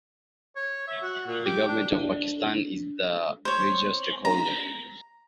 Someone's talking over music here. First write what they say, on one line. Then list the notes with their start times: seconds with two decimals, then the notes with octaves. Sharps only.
The Government of Pakistan is the major stakeholder.
0.56 C#5
0.88 E5
1.02 F#4
1.27 A#2
1.46 G4
1.68 D4
1.92 D4
3.45 C5 C#5
4.25 A#5